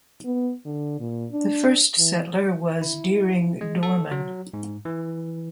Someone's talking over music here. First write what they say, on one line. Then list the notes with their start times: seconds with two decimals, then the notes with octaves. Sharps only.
The first settler was Dearing Dorman.
0.25 B3
0.66 D3
1.00 A#2
1.32 D4
1.98 E3
2.82 E4
3.61 G#3
3.83 A4
4.11 F#3
4.54 G#2
4.85 E3